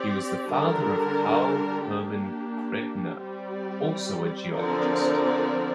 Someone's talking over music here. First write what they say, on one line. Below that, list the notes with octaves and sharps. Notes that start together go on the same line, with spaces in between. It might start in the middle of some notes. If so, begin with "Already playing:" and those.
He was the father of Carl Hermann Credner, also a geologist.
Already playing: C4 G4 D5
D3 G3 D4 A#4
A#3 D4 G4
G3 C4 G4 D5
D3 F3 C4 A#4 D5